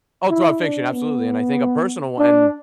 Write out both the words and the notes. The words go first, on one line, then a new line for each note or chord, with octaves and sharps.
All throughout fiction, absolutely. And I think a personal one
E4
D4
B3
D4